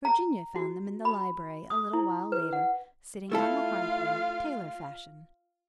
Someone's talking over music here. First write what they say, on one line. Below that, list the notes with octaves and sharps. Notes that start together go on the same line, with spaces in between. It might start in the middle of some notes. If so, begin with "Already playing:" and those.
Virginia found them in the library, a little while later, sitting on the hearth-rug, tailor-fashion.
A#5
F#4
B5
D#6
E4
B4
F#5
A3 E4 F4 A4 F5